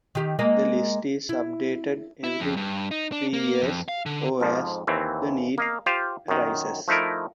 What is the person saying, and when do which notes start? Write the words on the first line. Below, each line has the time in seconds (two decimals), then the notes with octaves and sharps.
The list is updated every three years, or as the need arises.
0.15 D#3 G4
0.39 G#3 A#3 D#5
1.29 E4
2.24 E4
2.40 F2
2.57 G2
2.91 D#4
3.12 D4
3.34 A#3
3.62 F2
3.88 F5
4.06 D3
4.40 F2 G#2 F3
4.87 D#2 E3 C4
5.58 A#3 D#5 F5
5.86 F4 G4 C5 F5
6.28 F#2 D#3
6.88 F3 A3 D#4 E4 A#4